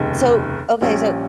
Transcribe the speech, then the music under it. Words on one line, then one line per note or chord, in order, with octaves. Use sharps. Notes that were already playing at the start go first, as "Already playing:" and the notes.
So, okay, so,
Already playing: F1 D#2 C#3 G#3
A#1 A#2 G3 C#4